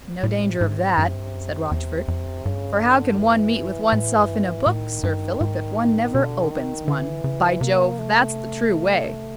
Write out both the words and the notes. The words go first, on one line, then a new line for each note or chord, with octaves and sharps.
"No danger of that," said Rochfort; "for how can one meet with oneself in a book, Sir Philip, if one never opens one?--By Jove, that's the true way."
A2 C3
G#2
G2
F#2
G2
F#2
E2
F2
G2 C#3
D3
E3
A2
G2
G#2
A2 D#3
G2
G#2
A2
B2 D3
D#3
D3 E3
C#3
C3 A#3
A3